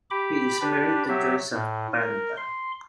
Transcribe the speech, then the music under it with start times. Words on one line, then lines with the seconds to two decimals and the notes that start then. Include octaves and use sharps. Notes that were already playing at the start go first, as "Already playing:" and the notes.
He is married to Joy Zapanta.
0.11 G4 B5 D6
0.61 D4 G4 B4
1.09 F#3 G4 E5
1.53 A2
1.94 A#4
2.37 C6